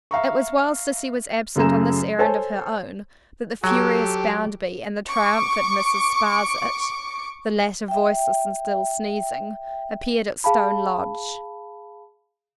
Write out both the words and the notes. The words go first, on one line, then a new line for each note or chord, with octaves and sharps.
It was while Sissy was absent on this errand of her own that the furious Bounderby and the triumphant Mrs. Sparsit, the latter voiceless and still sneezing, appeared at Stone Lodge.
E5 F5 A#5 C#6
F#2 C#3 A3 G#4 A#5 E7
A4 C5 C#5 G#5 A5
F#3 G4 A4
C#6 D6
E5 G5
G#4 F5 A5 B5